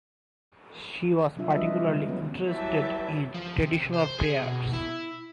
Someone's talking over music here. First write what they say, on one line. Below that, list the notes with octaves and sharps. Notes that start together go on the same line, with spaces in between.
She was particularly interested in traditional prayers.
C3 F#3 G3 D4 F4 E5
G3 F4 B4 D#5 E5
C#3 G#3
D#3 F#3 G#3 B3 C#4
E3 F#3 G3 E5 A5
F3
C3
C5
G#4
B2
E4